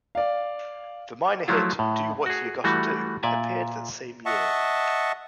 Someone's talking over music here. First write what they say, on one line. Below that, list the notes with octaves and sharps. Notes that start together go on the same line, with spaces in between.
The minor hit "Do What You Gotta Do" appeared that same year.
D5 F5
F3 F#3 A3 E4 F4
A2
F#4 G#4
E3 G3 A3 F#4
A#2 D5 E5 G#5 A5
D#5 E5 F#5 A5 C#6